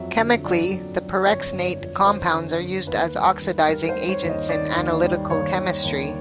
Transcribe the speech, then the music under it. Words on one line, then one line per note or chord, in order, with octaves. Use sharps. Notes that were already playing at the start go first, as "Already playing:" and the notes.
Chemically, the perxenate compounds are used as oxidizing agents in analytical chemistry.
Already playing: F2 F#3 E5
D3
F#3 D5
F#3
F#3
G1 C#5
G1
F2
D3 C5
D3
D3
D#2 B4
G3
D#3
G3 A#4
C5
G3
C#5
D#2
D#5
D#3 D5
D#2
G3
D#2 C#5
D#3
D#2